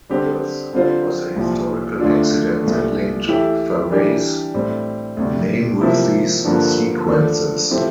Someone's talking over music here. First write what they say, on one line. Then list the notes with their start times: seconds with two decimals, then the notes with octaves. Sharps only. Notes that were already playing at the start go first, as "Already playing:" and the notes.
Thus it was a historical accident that linked Farey's name with these sequences.
0.09 D3 G3 C4 G4
0.73 D3 G3 C4 F4 C5
1.36 C2 A#2 F3
2.00 D2 D3 A3 D4 F4
2.64 C2 A#2 A3
3.27 E3 A3 E4 G4
3.90 E3 G3 D4 G4
4.54 A2 G3 C4
5.17 D2 C3 G3
5.81 C3 F3 A#3 E4 G4
6.44 G2 D3 F3 A#3
7.07 D3 F3 A3 D4
7.71 F3 A3 C4 E4 G4